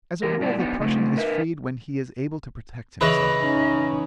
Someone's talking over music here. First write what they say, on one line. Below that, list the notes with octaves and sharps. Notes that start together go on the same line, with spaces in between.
As a rule, the prushun is freed when he is able to protect himself.
E3 A3 G4 A#4
A#2 G3 E4 D5 A5
B3 D4 D#4
C#3 A3 C4
A#4 B4 E5
C#3 E3 B4 D#5
C#4 D#4